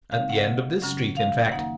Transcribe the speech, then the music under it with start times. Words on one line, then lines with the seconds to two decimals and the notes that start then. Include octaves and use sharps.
At the end of this street in fact.
0.12 C#3 G#3 C4 D#4 F5
0.29 F#5
0.47 D#5
0.82 F#2 C#3 F#3 C#4
1.17 F5
1.52 F#2 D#3 A#3 D#4 F#5